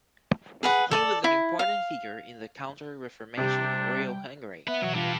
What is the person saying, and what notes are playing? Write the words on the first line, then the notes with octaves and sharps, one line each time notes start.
He was an important figure in the Counter-Reformation in Royal Hungary.
G#4 B4 F#5
A4 D5
E4
F5
C3 G3 D4 G4 G5
B3 B4 E5
B2 E3 F#3 F#4 F#5
G3 D4 F4